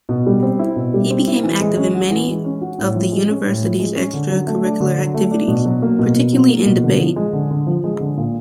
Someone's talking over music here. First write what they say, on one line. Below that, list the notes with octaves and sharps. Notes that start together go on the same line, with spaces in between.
He became active in many of the university's extra-curricular activities, particularly in debate.
B2
G3
C4
E4
B2
G3
C4
E4
E3
G#3
C#4
F#4
E3
G#3
C#4
F#4
A2
F3
G#3
C#4
A2
F3
G#3
C#4
D3
F#3
A3
D4
D3
F#3
A3
D4
B2
F#3
A#3
B2
B2
F#3
A#3
B2
D3
F3
G#3
D3
D3
F3
G#3
D3
A#2